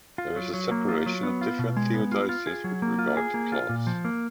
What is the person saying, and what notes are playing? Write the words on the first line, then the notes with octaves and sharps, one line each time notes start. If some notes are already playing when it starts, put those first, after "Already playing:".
There is a separation of different theodicies with regard to class.
F4
F#3
F#3
A#3
F4
F#3
B3
F4
B2
G#3
B3
F4
F4
G#4
F#3
A#3
F4
G#4
A#3
F4
A#2
F3
A#3